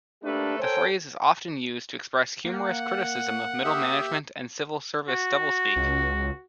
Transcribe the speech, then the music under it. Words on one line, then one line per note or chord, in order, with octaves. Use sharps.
The phrase is often used to express humorous criticism of middle-management and civil-service doublespeak.
A3 A#3 D4 G4 A4 B4
A4 A#4 C5 C#5 G5 G#5
A#3 F#5
G4 E5 D#6
F#4
C#2